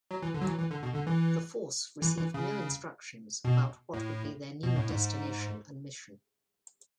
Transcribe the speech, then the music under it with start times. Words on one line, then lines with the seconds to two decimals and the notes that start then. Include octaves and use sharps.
The 'Force' received no instructions about what would be their new destination and mission.
0.11 F#3
0.23 E3
0.34 D3
0.41 F#3
0.46 E3
0.58 E3
0.71 D3
0.83 B2
0.94 D3
1.07 E3
2.02 E3
2.18 E3
2.34 C#3
3.45 B2
3.94 A2
4.63 B2
4.76 A2
4.89 G#2